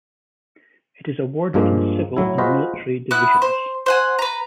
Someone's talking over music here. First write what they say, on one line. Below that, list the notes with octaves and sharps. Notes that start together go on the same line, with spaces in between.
It is awarded in civil and military divisions.
G2 F3 G#3 A#3
A2 F#3 E4
F4 F#4 G#4 B4 C5 D#5
B3 E4 F#6
C5
C5 F#5 G#5
B4 A#5